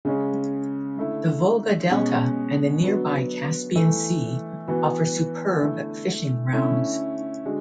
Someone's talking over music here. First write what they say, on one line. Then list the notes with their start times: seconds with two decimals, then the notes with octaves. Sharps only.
The Volga Delta and the nearby Caspian Sea offer superb fishing grounds.
0.05 C#3 G#3 C#4
0.97 D3 A3 E4
1.90 B2 G#3 C#4
2.83 D3 F#3 B3 F#4
3.75 E3 A3 E4
4.67 E3 B3 F#4
5.60 D3 A3 E4
6.53 D3 A3 C#4 E4
7.45 D3 G#3 D4 F#4